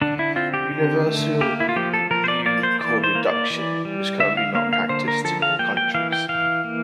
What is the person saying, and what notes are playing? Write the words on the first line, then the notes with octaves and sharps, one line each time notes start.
Universal leukoreduction is currently not practiced in all countries.
D3 D4
E4
C4 F4
G4
D3
A3
A#3 G4
E4
F4
F3 G4
A4
F3 A#4
C5
D5
A#3 D5
C5
E3 D5
C5
A#3
D5
E3
G3
D3 E5
F5
A#3 F5
F5
D3 C5
A#4
F3 A4
F5
A#3 G5
G5
E3 F5
G5
E3 F5
A#3